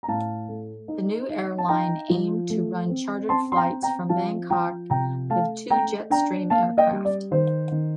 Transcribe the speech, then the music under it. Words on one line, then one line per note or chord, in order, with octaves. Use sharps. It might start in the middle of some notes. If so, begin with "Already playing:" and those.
The new airline aimed to run chartered flights from Bangkok with two Jetstream aircraft.
A#5
A2 F5 A5
A3
D#4
D#4
A5
D#4 G5 A#5
F3
A3
C4
C4 A5 C6
C6
G5 A#5
C4
G5 A#5
F3 F5 A5
F3 G5 A#5
C3 G5 A#5
A3 F5 A5
A3 G5 A#5
D4 G5 A#5
A#3 F5 A5
D#5 G5
G3
D5
D#3 C5
D#3